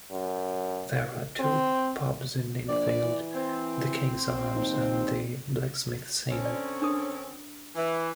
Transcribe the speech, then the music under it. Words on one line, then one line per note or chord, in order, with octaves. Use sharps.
There are two pubs in Ninfield - "The Kings Arms" and the "Blacksmiths Inn".
F#2
C4
A#1 D5
E3
C4
D#2
D3 C4 C#4
D5
D4 A#4 D#6
E3